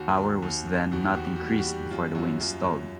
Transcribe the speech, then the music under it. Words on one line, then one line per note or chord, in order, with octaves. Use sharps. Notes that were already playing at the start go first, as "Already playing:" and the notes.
Power was then not increased before the wings stalled.
Already playing: D#2 F#4
D#2
D#2
D#2
E2 F#4
G4
E2 F#4
G4
F#4
G3
G4
F#4
G3
F#2 F4
F4
F#2 F#4
F#2 F4
F#2